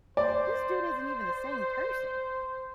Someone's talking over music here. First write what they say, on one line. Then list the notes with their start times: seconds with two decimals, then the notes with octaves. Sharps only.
this dude isn't even the same person.
0.17 C5 D5